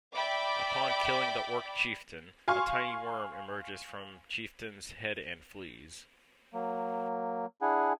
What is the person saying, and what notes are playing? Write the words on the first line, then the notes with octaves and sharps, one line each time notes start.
Upon killing the Orc chieftain, a tiny worm emerges from chieftain's head and flees.
D5 E5 G5 B5 D6
F5 G#5 C6 C#6 F6
F#3 A#3
D4 E4 G#4 F#5 G#5